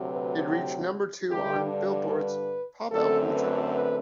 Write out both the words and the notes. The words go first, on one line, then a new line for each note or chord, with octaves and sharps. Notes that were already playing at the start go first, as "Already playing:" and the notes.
It reached number two on "Billboard"'s Pop Albums Chart.
Already playing: D2 C3 F#3
B4
G4
G2 D3 G3 G4
D5
B4
F#2 D3 A3 C4 A4
B4
B4